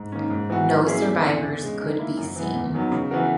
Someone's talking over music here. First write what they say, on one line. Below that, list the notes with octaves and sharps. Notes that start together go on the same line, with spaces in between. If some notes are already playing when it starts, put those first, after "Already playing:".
No survivors could be seen.
Already playing: G#2
D#3 A#3 C#4
G#2
E3 B3 F#4
F#3
A#3 C#4 E4 G#4
E2
C#3 E3
E2
C#3 G#3
D#3
A#3 E4
F#2
E3 B3
E2
D#3 F#3 B3
C#3
E3 B3 F#4 A#4